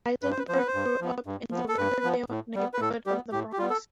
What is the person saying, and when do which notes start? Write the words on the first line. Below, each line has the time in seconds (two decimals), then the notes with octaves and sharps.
Eisenberg grew up in the Riverdale neighborhood of the Bronx.
0.22 G2 B4
0.31 C5
0.38 B4
0.49 F3 B3 C5
0.58 B4
0.67 C5
0.74 G2
1.01 F3 B3
1.26 G2
1.51 F3 B3
1.68 A4
1.78 G2 B4
2.04 F3 B3
2.30 A2
2.55 G3 B3
2.74 B4
2.80 A2 A4
3.06 G3 B3 G4
3.32 A2 G4
3.53 G4
3.58 G3 B3 F4
3.70 A4